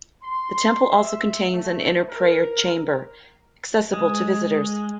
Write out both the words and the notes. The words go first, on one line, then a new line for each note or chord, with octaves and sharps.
The temple also contains an inner prayer chamber, accessible to visitors.
C6
E5
A3
A#4
G#3